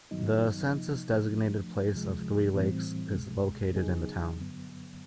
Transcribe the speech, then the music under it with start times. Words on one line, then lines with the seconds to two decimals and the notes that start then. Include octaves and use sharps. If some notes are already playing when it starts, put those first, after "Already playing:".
The census-designated place of Three Lakes is located in the town.
0.11 G2 D#3 F#3 B3 D#4
0.72 C3 F3 A#3 D#4
1.32 F3 A3 D4
1.93 D2 C3 F3 G#3
2.54 A2 E3 G3 C4
3.15 C2 B2 G#3
3.75 C#3 F#3 B3 D#4 G#4
4.37 G2 D3 F#3 B3